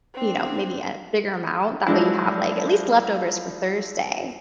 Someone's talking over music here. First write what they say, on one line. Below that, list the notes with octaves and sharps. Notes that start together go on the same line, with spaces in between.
you know, maybe a bigger amount, that way you have, like at least leftovers for Thursday.
C4 D4
F3 F#3 G#3 D4 E4